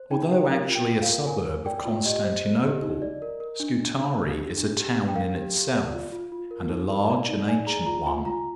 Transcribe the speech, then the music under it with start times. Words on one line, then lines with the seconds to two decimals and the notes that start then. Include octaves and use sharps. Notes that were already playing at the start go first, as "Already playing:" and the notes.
Although actually a suburb of Constantinople, Scutari is a town in itself, and a large and ancient one.
Already playing: C5
0.11 D#4 G5
0.31 G4
0.49 A#4 F5
0.69 F4
0.75 G5
0.89 F4
1.02 F5
1.08 A#4
1.27 A#4 G#5
1.46 A#4
1.66 D5 G5
1.85 F4
2.05 G4 D#5
2.24 C5
2.44 C5
2.63 G4
2.82 D#4
3.02 D5
3.22 A#4
3.40 A#4
3.60 D4
3.80 D4
3.98 D4
4.18 G4
4.37 D4
4.58 D4
4.77 G4
4.96 D4
5.08 G5
5.15 A#4 F5
5.34 G4
5.54 G4
5.74 D5
5.94 F4
6.12 F4
6.32 F4
6.51 A#4
6.70 D#4
6.90 A#4
7.10 D5
7.28 D#4
7.48 D5 G#5
7.67 G#4 A#5
7.86 F4 A#5
8.06 F4 G#5
8.25 F4 A#5